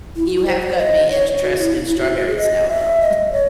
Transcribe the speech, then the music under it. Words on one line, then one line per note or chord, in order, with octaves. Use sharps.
You have got me interested in strawberries now though,
E4
F#4
F#4
C5
D#5
C#5
F#4
E4
D#4
E4
F#4
F#4
G#4
D#5
E5
D#5
C#5